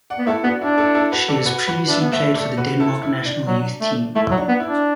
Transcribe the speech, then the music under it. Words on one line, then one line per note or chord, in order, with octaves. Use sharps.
She has previously played for the Denmark national youth team.
D5 F#5
B3
A3 E4 A4
B3 D4 F#4
D4 E4
E4 A4
E4 A4
F#4 B4
A4 D5
F#4 B4
F#4 B4
D4 B4 E5
B3
A3 B4 E5
A4 D5
F#4 B4
E4 A4
E4
D4
F#3
A3
A3 E4
F#3
D4
B3
E4
D4